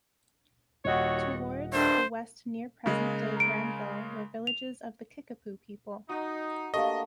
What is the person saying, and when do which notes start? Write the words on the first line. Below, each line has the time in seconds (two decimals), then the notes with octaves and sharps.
Toward the west near present-day Granville were villages of the Kickapoo people.
0.85 D#1 D#2 F#4 C#5 D#5 F#5
1.73 G2 D#3 A3 D4 C5
2.86 C#3 G#3 A#3
3.36 A#5 D7
4.47 F7
6.09 D#4 F#4
6.74 A3 A#3 D4 G4 D#5 F5